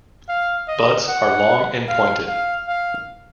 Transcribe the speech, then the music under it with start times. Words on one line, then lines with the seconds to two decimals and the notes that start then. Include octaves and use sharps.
Buds are long and pointed.
0.29 F5
0.68 D#5
1.08 F#5
1.88 F5
2.27 F5
2.68 F5